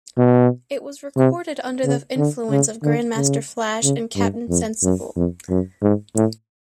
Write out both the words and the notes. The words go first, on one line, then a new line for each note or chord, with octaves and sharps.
It was recorded under the influence of Grandmaster Flash and Captain Sensible.
B2
C3
C#3
D3
C#3
D3
C#3
C#3
G2
F2
F#2
F2
F#2
G#2
A2